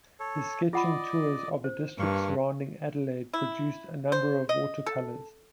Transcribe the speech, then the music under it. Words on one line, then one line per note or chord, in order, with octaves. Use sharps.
His sketching tours of the districts surrounding Adelaide, produced a number of watercolours.
A4 C#5
F4 D5 D#5 F#5 B5
C5
G2 A#3 F5 C#6
E4
C5
D#5
A4